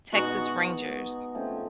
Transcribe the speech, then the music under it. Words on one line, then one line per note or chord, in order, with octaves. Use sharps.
Texas Rangers
B2 G#3 B3 D#4 F#4
C#3 F3 A3 C4